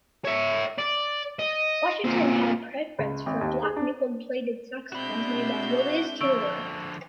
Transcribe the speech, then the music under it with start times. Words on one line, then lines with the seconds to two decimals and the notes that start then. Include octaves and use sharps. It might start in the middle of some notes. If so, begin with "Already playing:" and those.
Washington had a preference for black nickel-plated saxophones made by Julius Keilwerth.
0.25 C#5 E5
0.78 D5
1.39 D#5
2.05 A#2 C4
2.99 C#2
3.26 G#1
3.41 D#2
3.63 G#4
3.77 D4
4.93 G#3 C4 D4 F#4 E5 B5 G6
6.21 D3 F3 C#6 E6 D7